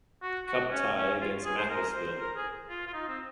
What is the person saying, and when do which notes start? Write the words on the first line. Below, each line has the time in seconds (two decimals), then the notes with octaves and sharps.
Cup tie against Macclesfield.
0.22 F#4
0.46 F#4
0.72 C#4
0.96 C#4
1.21 F4
1.45 G#4
1.57 C5
1.70 A#4
1.95 C5
2.19 A#4
2.36 G#4
2.69 F4
2.87 F4
2.93 D#4
3.08 C4